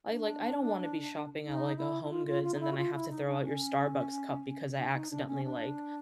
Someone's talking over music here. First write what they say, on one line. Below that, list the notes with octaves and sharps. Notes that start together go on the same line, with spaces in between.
I like I don't wanna be shopping at like, a HomeGoods and then I have to throw out your Starbucks cup because I accidentally, like
D4
D#4
E4
E4
F4
F4
F4
D#4
E4
F#4
F4
E4
D#4
D4
C#4
D4
D#4
D4
C#4
D4